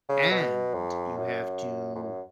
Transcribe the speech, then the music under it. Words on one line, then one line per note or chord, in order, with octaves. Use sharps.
and you have to
C#3
B2
F2
F#2
F2
F#2